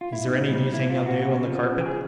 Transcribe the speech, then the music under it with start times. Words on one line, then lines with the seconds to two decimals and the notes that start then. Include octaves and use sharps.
"Is there any thing new on the carpet?"
0.01 F4
0.13 E4
0.25 A#2 D#4
0.50 G3
0.74 A#2 E4
0.89 F4
0.98 A#2
1.06 F#4
1.21 C#3
1.46 F3
1.69 C#3
1.81 G4
1.86 G#4